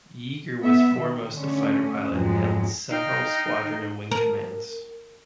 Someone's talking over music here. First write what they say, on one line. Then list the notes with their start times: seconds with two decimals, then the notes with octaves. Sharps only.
Yeager was foremost a fighter pilot and held several squadron and wing commands.
0.64 B3 E5
0.99 D#3
1.34 D3 A3 C#4
2.11 F2 G#2 F#3 G#3
2.90 D#4 F5 G5
4.11 A#4